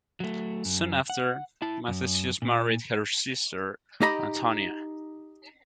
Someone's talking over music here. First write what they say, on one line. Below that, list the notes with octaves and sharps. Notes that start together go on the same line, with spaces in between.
Soon after, Mathesius married her sister, Antonia.
F#3 A3
F#2
F#5
E4 A5
F#2
A#2
D#4 G4 D#5 A#5 B5